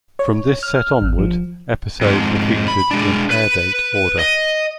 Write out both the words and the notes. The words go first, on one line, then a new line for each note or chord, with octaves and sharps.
From this set onward, episodes were featured in airdate order.
C#5
F6
G#1
F3
F2 G#2
B5
G#3 D4
B4
D#5